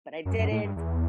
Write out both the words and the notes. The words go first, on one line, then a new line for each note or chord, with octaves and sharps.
but I didn't,
F#2
F#2
A2
G2
E2